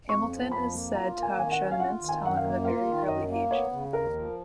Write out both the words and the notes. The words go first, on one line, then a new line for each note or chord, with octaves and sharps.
Hamilton is said to have shown immense talent at a very early age.
F2 C#6
F3
F2 B5
A#3
F4 A#5
A#3
G#5
D#3 G#5
F#5
C#4
F5
F4 F#5
D#3
G#5
F#2 F#5
F5
A#3
F4 F5
D#3
F#2 D#5
A#3
B3 C#5
C#3
D#2 A#4
F3